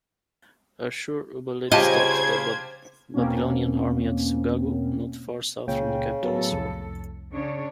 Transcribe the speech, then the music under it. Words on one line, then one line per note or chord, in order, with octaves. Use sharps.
Ashur-uballit stopped the Babylonian army at Sugagu, not far south from the capital Assur.
C#3 F4 G4 C5 D#5 A5 G#6
E2 B2 A#3 C4 C#4
C#2 A#2 C#3 G5
A2 F#3 B3 A4 A#4
C2 F2
C#3 D4 C#5